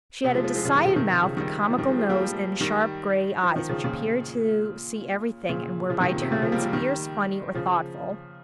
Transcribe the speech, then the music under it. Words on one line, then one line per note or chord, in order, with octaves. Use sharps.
She had a decided mouth, a comical nose, and sharp, gray eyes, which appeared to see everything, and were by turns fierce, funny, or thoughtful.
C3
F3 G#3
F3 G#3
F3 G#3
C#3 F3
D#3 G3
C#3 F3
C3 D#3
C3
C#3 F3
D#3 G3
F3
D#3 G3
F3 G#3
F3 G#3
G3 A#3
F3 G#3
D#3 G3
F3
D#3
C#3 F3
A#2 C#3
A#2 C#3
C#3 F3
C3 D#3
A#2
C3
A#2 C#3
C#3 F3
G3 A#3
F3 G#3
D#3 G3
C#3 F3